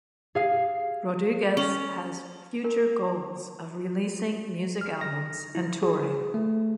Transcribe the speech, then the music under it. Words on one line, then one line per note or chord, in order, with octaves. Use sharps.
Rodriguez has future goals of releasing music albums and touring.
G#4 F5
C#4
A#4
F6
A#6
E4
G#4
A3